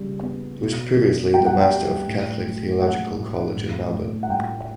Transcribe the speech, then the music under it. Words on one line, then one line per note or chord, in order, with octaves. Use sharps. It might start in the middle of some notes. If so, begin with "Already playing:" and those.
He was previously the master of Catholic Theological College in Melbourne.
Already playing: C#3 G3
B3
B2
B2
G3 G5
F#5
G5
G3
A2
F#3
F#3 F#5
A2
A2
A2
F#5
A2 G5